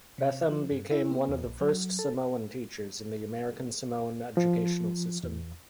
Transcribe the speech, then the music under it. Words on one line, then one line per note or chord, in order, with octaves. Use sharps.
Betham became one of the first Samoan teachers in the American Samoan educational system.
C3
F3
G2
E4
B3
E2
A#1
F#3
A4
F3
E2